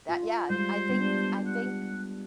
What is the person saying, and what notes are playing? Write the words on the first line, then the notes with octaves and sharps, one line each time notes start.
that, yeah, and I think I think,
F4
G3 G#3 C5
G3 B3 D4
F#5